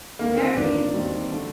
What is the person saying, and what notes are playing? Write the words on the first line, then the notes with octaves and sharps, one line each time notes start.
Very interesting.
D#2 D3 A3 A#3
C4
A1 G2 D#3 A#3 D4 F4
D#2 D#3 G3 C4 D#4
D3 A3